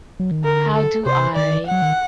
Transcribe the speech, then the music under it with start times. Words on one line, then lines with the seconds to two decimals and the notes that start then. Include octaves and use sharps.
How do I...
0.20 F#3
0.31 D#3
0.44 D3 A#4
0.75 A4
1.06 C3 C5
1.35 D#3 D5
1.66 F#5
1.71 F#3
1.82 D#3